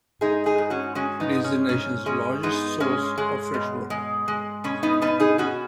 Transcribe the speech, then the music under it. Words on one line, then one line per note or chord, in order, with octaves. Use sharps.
It is the nation's largest source of freshwater.
G#3 D#4 G#4
D#4 G#4
G#2
C#4 F#4
G#3 C#4 F#4
B3 D#4
G#3
C#4
G#2 C#4
G#3 C#4
G#3 B3 D#4
G#3 C#4
G#3
B2
G#3
G#3
B2 C#4
B3 D#4
B2 B3 D#4
D#4 G#4
B2 C#4 F#4